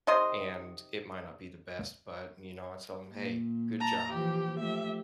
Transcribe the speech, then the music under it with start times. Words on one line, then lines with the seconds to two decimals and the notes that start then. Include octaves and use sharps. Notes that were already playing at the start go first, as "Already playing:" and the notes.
and it might not be the best, but, you know, I tell him, "Hey, good job."
0.07 C3 D#3 D#5 C6
3.14 A#2
3.80 A5 A#5
4.10 E3 F3 G4
4.59 F3 A3 G4 E5